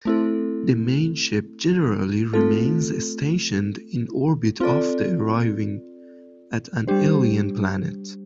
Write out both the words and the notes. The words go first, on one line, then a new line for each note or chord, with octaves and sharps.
The main ship generally remains stationed in orbit after arriving at an alien planet.
A3 C4 E4 A4
A3 C4 F4 A4
C4 F4 A4 D5
G3 D4 G4 C5